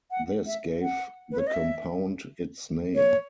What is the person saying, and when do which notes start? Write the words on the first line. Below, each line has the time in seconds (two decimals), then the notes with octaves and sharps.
This gave the compound its name.
0.11 F#5
0.47 E5
0.82 F#5
1.32 B4
1.39 C#5
1.47 D#5
1.54 E5
2.95 C#5